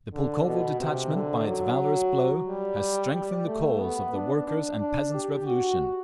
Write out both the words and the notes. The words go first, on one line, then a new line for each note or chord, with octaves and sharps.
The Pulkovo detachment by its valorous blow has strengthened the cause of the Workers' and Peasants's Revolution.
D3
B2
C3
D3
F#3
G3
G3
A3
B3
D4
D4
D4
G4
F#4